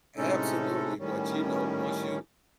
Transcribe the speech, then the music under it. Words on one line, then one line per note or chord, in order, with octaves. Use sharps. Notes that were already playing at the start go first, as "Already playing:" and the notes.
Absolutely, but, you know, once you
A2 C3 G#3 C#4 D#4 A4
A2 D#3 G3 C#4